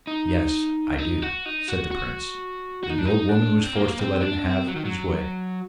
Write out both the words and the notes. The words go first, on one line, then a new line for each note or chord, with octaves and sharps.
'Yes, I do,' said the prince, and the old woman was forced to let him have his way.
D#4
D4
D#4
F#4
D#4
F#4
F#4
F#4
D#4
D4
D#4
D4
C4
A#3
C4
D4
C4
F#3
D#3
F#3